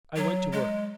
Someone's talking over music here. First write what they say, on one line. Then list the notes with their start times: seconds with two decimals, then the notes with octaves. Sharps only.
I went to work.
0.16 F#3
0.52 G#3